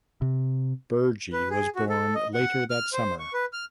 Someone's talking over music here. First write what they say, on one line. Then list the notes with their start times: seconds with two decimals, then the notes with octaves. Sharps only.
Burgi was born later that summer.
0.22 C3
1.33 B4
1.50 G#4
1.76 F#4
1.90 A4
2.15 D#5
2.34 F#5
2.70 F6
2.93 C5
3.19 C#6
3.33 B4
3.53 F6